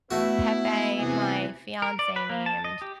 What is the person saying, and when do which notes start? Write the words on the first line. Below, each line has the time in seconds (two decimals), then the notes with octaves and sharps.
Pepe, my fiancé named.
0.11 A3 B3 E4 F#4
0.98 C3 E3 G#4
1.82 A#4
1.99 D5
2.16 B4
2.30 A#3
2.46 A5
2.64 D#5
2.82 G4